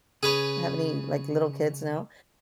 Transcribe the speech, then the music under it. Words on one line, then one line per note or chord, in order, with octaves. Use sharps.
have any, like, little kids now,
C#3 G#4 B4 C#5